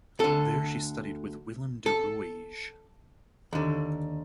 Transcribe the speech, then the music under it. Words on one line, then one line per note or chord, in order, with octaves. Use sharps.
There she studied with Willem de Rooij.
D2 D3 A4
A4
D#2 D3